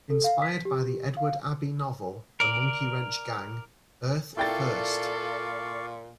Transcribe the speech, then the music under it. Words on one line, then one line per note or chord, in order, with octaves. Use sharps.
Inspired by the Edward Abbey novel "The Monkey Wrench Gang", Earth First!
A4
F5
B6
G4
F5
A#4 D5
A#2 E4 A4 D5 F5 G5 C#6 A6